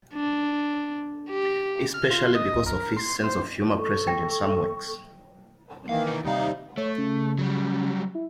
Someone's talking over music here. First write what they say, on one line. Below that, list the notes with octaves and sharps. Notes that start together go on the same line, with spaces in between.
Especially because of his sense of humor present in some works.
D4
G4
F6
F4
D#5
A#4
C6
C5
A4 C#6
G5 A#6
D#3 E3 A#3 F5
B3 D#4
D#2 C3 G3 D#4 F5
A3 C#5
C#3
F#3 G3
E4